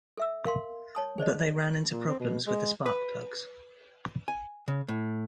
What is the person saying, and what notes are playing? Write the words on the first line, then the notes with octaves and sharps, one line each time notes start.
But they ran into problems with the spark plugs.
A4 E5 E6
A#4 F5 C6
C#5 A5 D#6
G#4 C5 D5 D#5
A#2
C4
B2
G#3
B4
G#5
C#3
A2